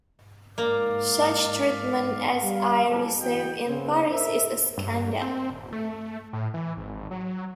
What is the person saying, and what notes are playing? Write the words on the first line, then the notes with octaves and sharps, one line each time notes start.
Such treatment as I received in Paris is a scandal.
G#2 A#3 D5 F5 A#5
G3 F5
F#1 F2 A2 A#3 G#4 A4
E2 B3 F#4 D#5 G5
C#3 B3 C4
A#4 C5 D#5 E5
G2
C4
D#1
A3
A2
E3
G#1
F#3